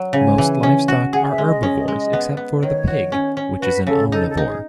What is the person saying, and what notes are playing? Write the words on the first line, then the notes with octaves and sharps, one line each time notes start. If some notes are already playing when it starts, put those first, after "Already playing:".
Most livestock are herbivores, except for the pig which is an omnivore.
Already playing: F#3
C#3 G#5
E3
C#4
F#4
G#4 F#5
F#5
E5
G#3
D#5
C#4
G#3
B3
B3
D#3 C#5
F#4
C#4
C#4
F#4 B4
C#3 A4
D#4 A4
A4
D#4
G#4